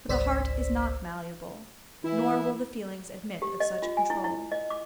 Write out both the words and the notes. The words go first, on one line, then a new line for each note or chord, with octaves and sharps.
But the heart is not malleable; nor will the feelings admit of such control.
G#1 C#2 C5 D5 E6 B6
E3 E4
G4
D#5
F4
G#5
E4
E4
D#5
D6